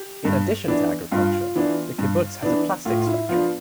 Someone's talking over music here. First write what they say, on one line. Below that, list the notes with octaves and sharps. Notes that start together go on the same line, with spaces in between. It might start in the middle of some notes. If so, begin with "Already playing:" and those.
In addition to agriculture, the kibbutz has a plastics factory.
Already playing: G4
G2
E3 B3 D4
G2 F4
E3 B3 D4
G2
E3 B3 D4
A2 F4
F4
E4
F3 B3 D4 F4